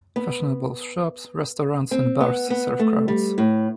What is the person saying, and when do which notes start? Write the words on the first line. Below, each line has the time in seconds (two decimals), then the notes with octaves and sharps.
Fashionable shops, restaurants and bars serve crowds.
0.16 B3
1.91 C4
2.21 B3
2.50 B3
2.79 A3
3.08 G3
3.38 A2